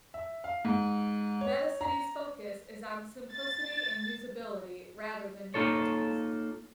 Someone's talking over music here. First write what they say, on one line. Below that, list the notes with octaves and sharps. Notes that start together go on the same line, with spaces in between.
Metacity's focus is on simplicity and usability rather than novelties.
E5
F5
G#2
C#5
A#5
A6
A#3 D#4 F4 A4 C#5